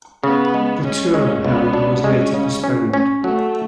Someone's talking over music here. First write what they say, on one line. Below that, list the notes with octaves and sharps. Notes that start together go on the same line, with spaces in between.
The tour however was later postponed.
C#3 B3
G#3
G#3 C#4
G#3
C#2 B3
D4
G#3 C#4
C#3
C#4
C#4
F#3 A3